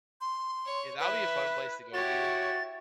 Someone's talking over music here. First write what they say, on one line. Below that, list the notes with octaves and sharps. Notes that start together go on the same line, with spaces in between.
Yeah, that'll be a fun place to go to,
C6
C#5
E4 B4
E4 F#4 G4 C#5 A6